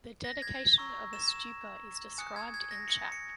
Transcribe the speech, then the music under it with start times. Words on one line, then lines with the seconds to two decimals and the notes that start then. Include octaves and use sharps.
The dedication of a stupa is described in Chap.
0.24 A#6
0.42 G#6
0.78 A#5 C#6 E6
1.13 E7
1.31 E7
2.18 G#5 D#6 F#6 C#7
2.36 G#6
2.54 G#6
2.71 A#6
2.88 C#7
3.12 C#7